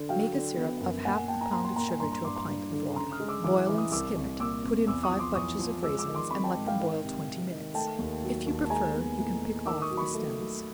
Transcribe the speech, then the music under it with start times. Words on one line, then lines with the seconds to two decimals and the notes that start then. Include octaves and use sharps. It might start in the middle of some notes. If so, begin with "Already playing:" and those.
Make a syrup of half a pound of sugar to a pint of water, boil and skim it; put in five bunches of raisins, and let them boil twenty minutes; if you prefer, you can pick off the stems.
Already playing: D3
0.09 F#3 F5 G5
0.33 D3
0.57 B3
0.80 F#2
1.05 A#2 F#5 G#5
1.28 A#2 G5 A5
1.41 G#5 A#5
1.52 A#2 A#5 C6
1.65 A#5 C6
1.76 A#2 A#5 C6
1.89 G#5 A#5
2.00 G2 A#5 C6
2.12 A#5 C6
2.24 G2 C6 D6
2.36 A#5 C6
2.48 G2
2.73 D3
2.96 C#3 A#5 C6
3.12 D#6 F6
3.20 G#3
3.28 D6 E6
3.44 E3 D6 E6
3.66 E3 D6
3.78 D#6
3.91 C2 D6 E6
4.16 C2
4.40 A#2 D6 E6
4.64 C4
4.87 E2 D6 E6
5.03 C#6 D#6
5.12 F3
5.19 C6 D6
5.35 E2 C#6 D#6
5.59 F3
5.83 G#3 D6 E6
5.99 D6 E6
6.08 D#3
6.15 C6 D6
6.31 C4 B5 C#6
6.44 G5 A5
6.56 G#2
6.67 F5 G5
6.79 D#3
7.03 C3
7.27 C3
7.51 D#3
7.74 A3 G5 A5
7.99 D#2
8.23 F#3
8.46 D#2
8.65 A5
8.70 G#3 G#5 A#5
8.94 B3
9.18 A2
9.42 A2
9.66 D#3 D6 E6
9.82 C#6 D#6
9.90 F#3
9.97 B5 C#6
10.14 A3
10.38 F#3